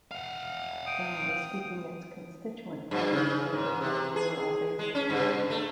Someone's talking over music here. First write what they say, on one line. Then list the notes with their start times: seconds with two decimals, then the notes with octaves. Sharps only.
Generally speaking its constituent parties were the more rural based parties.
0.11 F5 F#5
0.86 G5 D#6
2.91 G2
3.13 C#3
3.53 G#2
3.81 C3
4.16 G#4
4.79 G#3
4.95 C#4
5.10 G2
5.50 A3